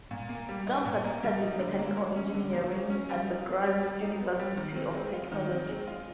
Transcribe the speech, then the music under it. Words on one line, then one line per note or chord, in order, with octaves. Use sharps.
Gumpert studied mechanical engineering at the Graz University of Technology.
A#2
A#3
G3
D#4
A#2
A#3
G3
D#4
D3
A#3
F#3
C#4
D3
A#3
F#3
C#4
G3
D#4
B3
G3
G3
D#4
B3
G3
D#3
C4
G#3
F4
D#3
C4
G#3
F4